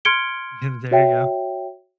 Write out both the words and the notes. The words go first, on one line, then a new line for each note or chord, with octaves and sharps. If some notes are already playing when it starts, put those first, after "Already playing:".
Yeah, there you go.
C6 F6 G#6 C#7 D7 G7
F#4 C#5 E5 G5